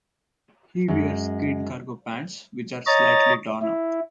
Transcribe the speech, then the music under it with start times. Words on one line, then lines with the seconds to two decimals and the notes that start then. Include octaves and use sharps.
He wears green cargo pants, which are slightly torn up.
0.88 F#2 G#3
2.87 C#5 D#5 A#5 A6
3.62 E4